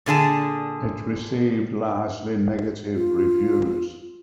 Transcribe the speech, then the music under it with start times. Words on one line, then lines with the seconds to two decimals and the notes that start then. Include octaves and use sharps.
It received largely negative reviews.
0.06 A#2 D3 G#4 A5
2.96 F4